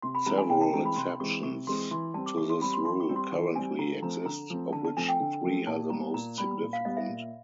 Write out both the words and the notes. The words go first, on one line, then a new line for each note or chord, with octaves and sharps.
Several exceptions to this rule currently exist, of which three are the most significant.
C3 C6
B5
E3 G#3 C4 A#5
G#5
C3 G5
A5
E3 G#3 C4 A#5
B5
C3 C6
E3 G#3 C4 C#6
C3 C#6
E3 G#3 C4 C6
E3 C6
G3 C4 A5
D6
E3 C#6
C6
G3 C4 B5
C6
E3 C6
C#6
G3 C4
C6
E3 C#6
G3 C4 G#5
D3 A#5
F3 A3 C4 A#5
D3 A#5
F3 A3 C4
D3 A5
A5
F3 A3 C4 G#5
G5
D3
F3 A3 C4
A#2 A5
G3 B3 A#5
A#2 A#5
G3 B3 B5
A#2
F5
G3 B3 D#5
E5
A#2